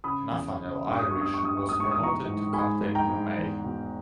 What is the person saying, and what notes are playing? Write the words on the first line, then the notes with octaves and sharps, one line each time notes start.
Nathaniel Irish was promoted to captain in May.
C#3 B5 D#6
E2
C#3
G2 C#6
D#6
G2 C#6
D#6
C#6
G2 D#6
C#6
G#2 D#6
C#6
D#6
E3
A#5 C#6
G#2
G#2 G#5 B5
G#2
G5 A#5
G#2
E2
B2